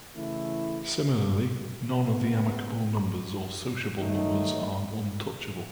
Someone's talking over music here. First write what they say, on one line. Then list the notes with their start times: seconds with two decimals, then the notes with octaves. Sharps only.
Similarly, none of the amicable numbers or sociable numbers are untouchable.
0.14 C#3 E3 A3 E4
2.06 C#3 G#3 B3
3.99 D#3 F#3 A3 D#4